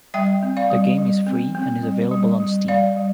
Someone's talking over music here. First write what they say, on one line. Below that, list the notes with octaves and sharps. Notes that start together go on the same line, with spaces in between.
The game is free and is available on Steam.
G3 E5 G5
C4
D5 F5
G3
G3
C4
C4
G3
G3
G3
G3 D5 F5
G3